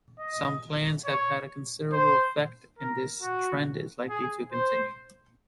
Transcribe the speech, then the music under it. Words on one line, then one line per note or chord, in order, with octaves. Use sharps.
Some plans have had a considerable effect, and this trend is likely to continue.
D#5
C#5
C5
A#4
F#4
G#4
C5